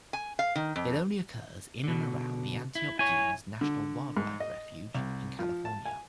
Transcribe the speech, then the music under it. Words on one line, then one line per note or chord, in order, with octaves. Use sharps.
It only occurs in and around the Antioch Dunes National Wildlife Refuge in California.
G#5
F5
D#3
F2
B2 D3
E4
E4 C#5 G#5
D3
G#2
D#5
C2
F3
A5
G#5